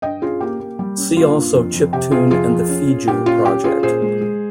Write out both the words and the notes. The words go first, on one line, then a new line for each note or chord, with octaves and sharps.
See also chiptune and the Fijuu project.
G2 D#5 G5
C#4 F4 G#4
A#3 G4
A#3
G3
C#4
A#3 F4
G2
F2
F2
C3 G4
C3 F4 G#4
F2 F4 G#4
F2
C#4
C#4
A#2 G4
C#4 F4
C#4 G4
C#4 F4 G#4
A#2 G#4 C5
G#3
G#3